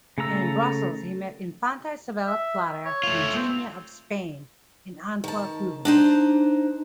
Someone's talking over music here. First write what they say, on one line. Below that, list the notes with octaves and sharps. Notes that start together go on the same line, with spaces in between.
In Brussels he met Infanta Isabella Clara Eugenia of Spain; in Antwerp, Rubens.
C#3 A3 A4 A#5 E6
E5
C#5
A3 F4
C4
D#3 A5
D4 D#4 C5